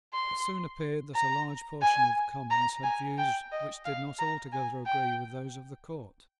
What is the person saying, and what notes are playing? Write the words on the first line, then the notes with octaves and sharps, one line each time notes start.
It soon appeared that a large portion of the Commons had views which did not altogether agree with those of the Court.
C6
A#5
G#5
A#5
G#5
G5
D#5
F5
A#5
G#5
G5